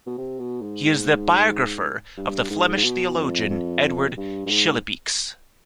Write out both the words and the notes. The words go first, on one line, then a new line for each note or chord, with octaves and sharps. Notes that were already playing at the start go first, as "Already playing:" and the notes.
He is the biographer of the Flemish theologian Edward Schillebeeckx.
B2
C3
B2
G#2
G2
G#2
G#2
B2
F2
F2
G2
G2
G#2